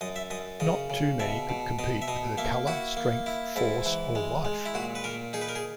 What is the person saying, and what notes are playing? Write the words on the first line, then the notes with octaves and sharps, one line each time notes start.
Not too many could compete with her "colour, strength, force, or life".
F#2 D#5
E5
F#2 D#5
C#3 D#5
C#3
B2 E5
B2
B2 D#5
E5
B2 D#5
A#3 E5
E4 F#4
A#3
E4
G#2 E4
E3
G#3
G#3
E4
A#2 F#4
B4
A#2 A#4
D#4 G#4
B4
A#4
G#4